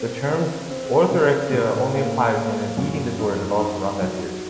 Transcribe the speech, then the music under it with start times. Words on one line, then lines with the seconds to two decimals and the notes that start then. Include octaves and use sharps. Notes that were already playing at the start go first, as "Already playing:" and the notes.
The term 'orthorexia' only applies when an eating disorder develops around that theory.
Already playing: C4
0.29 C#3
0.71 C4
1.11 C#3
1.52 A2
1.94 A#3
2.36 A#3
2.77 F#2
3.19 D#4
3.59 D#4
4.02 F#3